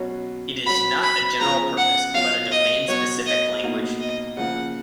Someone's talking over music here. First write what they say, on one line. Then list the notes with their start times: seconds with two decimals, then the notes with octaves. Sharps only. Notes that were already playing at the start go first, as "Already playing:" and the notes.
It is not a general-purpose, but a domain-specific language.
Already playing: B2 F#3 C#4 F#4
0.65 F#3 C#4 F#4 B5
1.03 B5
1.40 C#3 F3 B3 F4 A#5
1.77 F#5
2.14 B2 F#3 C#4 F4 F5
2.51 D#5
2.88 B2 F#3 B3 F#4 C#5
3.26 D#5
3.63 B2 A#3 D#4 F#4
4.00 D#5
4.37 C#3 F3 A#3 F#5